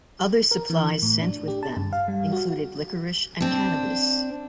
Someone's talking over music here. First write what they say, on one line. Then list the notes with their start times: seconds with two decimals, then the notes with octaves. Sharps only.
Other supplies sent with them included liquorice and cannabis.
0.51 A#4
0.70 E3
1.02 A2
1.22 D4
1.48 G4
1.63 A5
1.77 G2
1.93 F5
2.08 G3
2.32 F#4
3.41 C4 D4